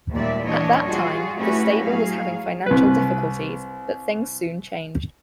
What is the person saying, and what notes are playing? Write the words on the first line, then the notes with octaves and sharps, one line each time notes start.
At that time, the stable was having financial difficulties but things soon changed.
D#2 A#2 G3 G#3 D5 E5
E3 D4 C#5 D#5
G3 F4 F#4 G#4
A3 C#4 E4 F#4 G4 B4
A2 F#3 G#4 F5
C2 B4